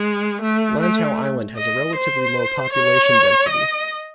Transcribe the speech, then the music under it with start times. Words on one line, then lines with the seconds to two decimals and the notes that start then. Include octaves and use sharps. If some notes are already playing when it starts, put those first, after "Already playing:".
Lantau Island has a relatively low population density.
Already playing: G#3
0.42 A3
0.81 A3
1.57 D#5
1.96 C5
2.73 C#5
3.49 D#5